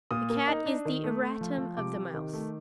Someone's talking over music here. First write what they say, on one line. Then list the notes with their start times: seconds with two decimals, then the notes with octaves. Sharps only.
The cat is the erratum of the mouse.
0.11 A#2 D#6
0.30 A#3
0.48 D#4
0.66 D4
0.85 D#3
1.04 A3
1.21 A3
1.41 F3
1.58 F3
1.77 C3 D6
1.95 C3
2.14 D#3
2.33 A3